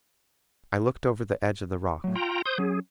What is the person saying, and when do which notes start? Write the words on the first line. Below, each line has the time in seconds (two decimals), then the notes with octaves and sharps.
I looked over the edge of the rock.
2.04 A2 F#3
2.15 F4 G5 A#5 C6
2.45 C5 D#6 G6
2.58 F#3 C#4 G#4